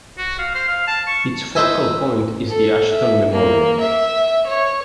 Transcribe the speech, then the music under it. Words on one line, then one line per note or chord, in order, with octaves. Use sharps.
Its focal point is the Ashton Memorial.
F#4
F5
C5
F5
A5
C#6
B4 C5 D#5 E5 G#5
A4
E5
A#3
E5
C#5